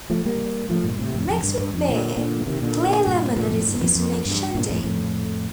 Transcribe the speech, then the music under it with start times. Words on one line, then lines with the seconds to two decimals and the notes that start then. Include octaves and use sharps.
Mixed with beer, clear lemonade is used to make shandy.
0.10 F3 A3
0.25 G3 A#3
0.70 F3 A3
0.84 G2 A#2
0.98 A2 C3
1.14 F2 A2
1.28 F2
1.43 G2
1.59 G2
1.74 F2
1.88 A#2 D3
2.17 A#2 D3
2.47 C3 D#3
2.61 A#2 D3
3.07 G2 A#2
3.36 G2 A#2
3.51 F2 A2
3.66 G2
3.81 F2
3.95 F2
4.25 G2
4.55 G2 A#2
4.70 F2 A2
4.84 F2 A2